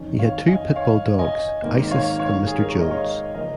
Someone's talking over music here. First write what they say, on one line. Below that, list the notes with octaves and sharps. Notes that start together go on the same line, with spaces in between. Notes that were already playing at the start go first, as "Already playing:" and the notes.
He had two pit bull dogs, Isis and Mr. Jones.
Already playing: F2 D#3 C#4
C#5 F5
D#5 G#5
C#5 F5
D#5 G#5
G#1 G#2 D#3 A#3
C#5 F5
C#5 F5
G#4
A#4
C#5
D#5
C#5 F5
C#3 F3 A#3 A#4 D#5